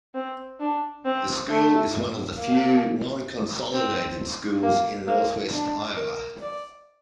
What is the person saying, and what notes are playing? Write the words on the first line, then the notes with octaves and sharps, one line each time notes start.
The school is one of the few non-consolidated schools in northwest Iowa.
C4
D4
C4
A3
A#3
C4
A#3
A#3
D4
A#4
D5